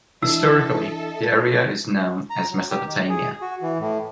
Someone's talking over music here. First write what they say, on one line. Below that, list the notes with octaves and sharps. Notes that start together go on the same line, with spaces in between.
Historically, the area is known as Mesopotamia.
E3 D4 E4 A4 D#5 E5 E6
A#5
F#3
G4
D#3
G#4
F#4
E3
A2